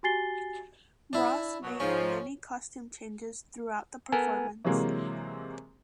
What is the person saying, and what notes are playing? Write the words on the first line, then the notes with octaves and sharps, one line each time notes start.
Ross made many costume changes throughout the performance.
F#4 G4 G#5 A6 C7 G7
D4 E4
B2 F#3
G#2 F3 C#4
B3 A4 A#4 G#5
C3 E3 F#3 G#3 A#3